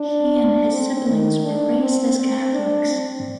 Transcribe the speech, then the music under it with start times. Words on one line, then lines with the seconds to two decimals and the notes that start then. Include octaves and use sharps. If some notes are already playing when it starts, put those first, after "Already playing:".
He and his siblings were raised as Catholics.
Already playing: D4
0.72 C4
1.08 D#3
1.44 D4
1.81 C4
2.17 C4
2.53 D4
2.90 C4